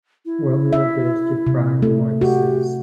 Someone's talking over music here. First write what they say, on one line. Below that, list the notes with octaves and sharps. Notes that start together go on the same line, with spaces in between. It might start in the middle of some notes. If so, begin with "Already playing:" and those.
Romeo goes to Friar Lawrence's.
E4
E5
C3
A3
F#4 G4